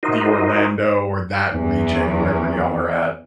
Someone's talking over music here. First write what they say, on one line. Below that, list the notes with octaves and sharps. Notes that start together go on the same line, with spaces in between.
the Orlando, or that region, wherever y'all are at.
D#4 E4 F#4 A#4 C5 D#5
E2 E3